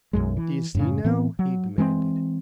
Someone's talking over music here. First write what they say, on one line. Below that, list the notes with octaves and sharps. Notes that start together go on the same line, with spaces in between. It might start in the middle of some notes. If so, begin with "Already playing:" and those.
"D'ye see, now!" he demanded.
B1 F#2 G#3
E3
F#2 A2 C#3
A2 E3 B3 C4
F#3
E3 G#3 A#3 C4